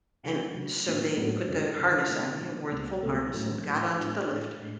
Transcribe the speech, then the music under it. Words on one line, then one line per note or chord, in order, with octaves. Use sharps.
And so they put the harness on me. I wore the full harness and got onto the lift.
C#3 F#3 A3 D4
C#3 F#3 A3 D4
A2 F#3 B3 D4
A2 F#3 B3 D4
F#2 D3 G#3
F#2 D3 G#3
B2 G#3 D4
B2 G#3 D4
C#2 B2 A3
C#2 B2 A3
A2 F#3 A3 C#4
A2 F#3 A3 C#4
A2 G#3 D4
A2 G#3 D4
A2 G#3 D4